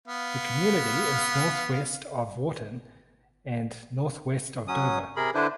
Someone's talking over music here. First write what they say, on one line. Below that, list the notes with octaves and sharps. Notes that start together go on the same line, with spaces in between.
The community is northwest of Wharton and northwest of Dover.
B3 F5
F#3 C#4 D#6
C3 G#4 A#4 B5
D3 D4 E4 B4 C5